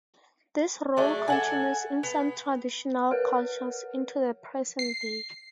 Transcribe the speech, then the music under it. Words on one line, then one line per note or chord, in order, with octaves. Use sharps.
This role continues in some traditional cultures into the present day.
F#3 A3 D4 G#4
A4 F#5 G#5
B3
A#4 B4 C#5 F#5 F6
C7